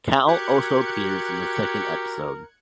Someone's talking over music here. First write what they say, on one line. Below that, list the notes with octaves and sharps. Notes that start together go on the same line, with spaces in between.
Cal also appears in the second episode.
F#4 G4 A#4 F#6 G#6 C#7